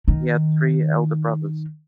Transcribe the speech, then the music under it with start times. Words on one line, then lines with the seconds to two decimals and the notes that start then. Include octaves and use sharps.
He had three elder brothers.
0.08 D#3